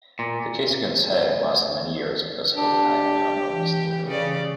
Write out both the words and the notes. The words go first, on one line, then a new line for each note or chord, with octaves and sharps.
The case against Hauge lasted many years because Copenhagen found no reason to hurry.
A#2
D4 G4
E3
C#3 D5